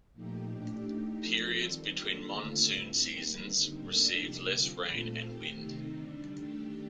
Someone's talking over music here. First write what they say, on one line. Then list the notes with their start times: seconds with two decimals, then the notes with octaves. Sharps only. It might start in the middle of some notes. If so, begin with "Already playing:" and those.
Periods between monsoon seasons receive less rain and wind.
0.13 A#2 F3 A3 D#4 G4
0.50 A2 A3 D4 G4
0.85 A2 A3 D#4 G4
1.23 F3 C4 F4 A4
1.59 D#3 G3 C4
1.96 D#3 A#3 D4 F4 A4
2.32 D3 A3 C4 F4 A4
2.68 A2 A3 C4
3.05 D#3 G3 A#3
3.42 D3 G3 C4 D#4
3.78 A2 G3 A#3 D4 A4
4.14 C3 F3 A#3 D#4 G4
4.51 D3 G3 C4 F4 A4
4.88 A#2 A3 C4 F4 A4
5.24 D#3 A3 C4 G4
5.61 C3 D#3 A3 C4 D#4
5.97 D3 G3 D4
6.33 D#3 A3 D4 G4